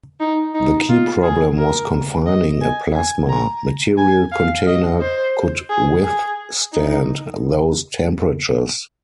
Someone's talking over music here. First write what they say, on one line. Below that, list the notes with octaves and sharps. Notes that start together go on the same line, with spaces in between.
The key problem was "confining" a plasma; material container could withstand those temperatures.
D#4
D#4
F4
G#4
A#4
D#5
G#5
G#5
A#5
G#5
F5
D#5
C5
G#4
G#4
D#4